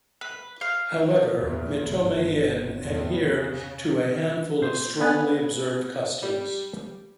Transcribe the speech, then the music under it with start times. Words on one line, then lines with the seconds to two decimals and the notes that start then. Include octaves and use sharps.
However, "mitome-in" adhere to a handful of strongly observed customs.
0.21 B4
0.61 F5
1.35 E2 A#2
1.86 G1
2.81 E2 A2
3.24 C#3
4.61 A#2 C5
5.00 C#3 B3 G#5 F#6 A6
6.23 G3